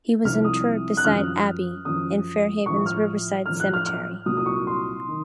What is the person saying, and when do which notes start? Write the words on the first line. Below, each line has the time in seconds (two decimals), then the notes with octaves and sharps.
He was interred beside Abbie in Fairhaven's Riverside Cemetery.
0.25 C2 C3 F3 F6
0.45 D#6
0.97 F#6
1.05 F#2 F3 F6
1.85 F#2 F3 D#6
2.66 A2 F3 C#6
2.86 F6
3.46 A2 F3 F6
3.60 F#6
3.73 F6
3.86 F6
4.26 C2 A#2 F#3 D#6
4.37 D#6
4.46 C#6
4.67 C6
5.08 D#3